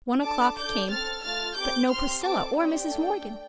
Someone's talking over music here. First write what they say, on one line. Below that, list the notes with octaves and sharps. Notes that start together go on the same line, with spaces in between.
One o'clock came . . . but no Priscilla or Mrs. Morgan.
D4 A4 A5 D6
D4 A4 D6 G6
C4 A4 F6 A6
A3 F4 A4 F6 A6
C4 G4 D6 G6
C4 G4 C6 F6
C4 A4 A5 D6
C4 G4 D5 G5
A3 D4 A4